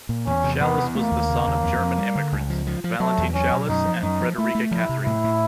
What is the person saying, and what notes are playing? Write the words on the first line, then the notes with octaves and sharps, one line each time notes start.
Shallus was the son of German immigrants, Valentine Schallus and Frederica Catherina.
A#2
E2 C#4
C3
E2 B3
E2
A3 A#3
D#2
C#3
D#2
F2
F2
G3
D3
C#2
F3
F3
F3
F#3 A3
E2
F#3 C#4
B2
F#2 D#4
F3
F#2 D#4
F3
A3 E4
A3
F3 E4
C3
A2 E4
A2